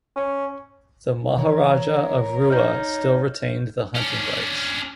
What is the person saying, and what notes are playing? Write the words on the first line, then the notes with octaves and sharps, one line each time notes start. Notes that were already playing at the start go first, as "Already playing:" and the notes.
The Maharaja of Rewa still retained the hunting rights.
C#4
E3 A#4 C#5
D#4 F6 G6
C#4 D4